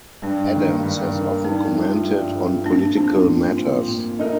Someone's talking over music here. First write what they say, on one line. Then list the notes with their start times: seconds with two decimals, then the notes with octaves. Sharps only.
Adams has often commented on political matters.
0.22 G2 D4
0.53 D#3 A#3
0.83 G2
1.14 D#3
1.19 A#3
1.44 G2 D#4
1.74 F3 A3 D#4
2.05 G2
2.36 F3 A3
2.65 A#2 D4
2.96 F3 C4 D4
3.26 A#2
3.57 F3 C4
3.88 A#2
4.18 A3 D#4 A#4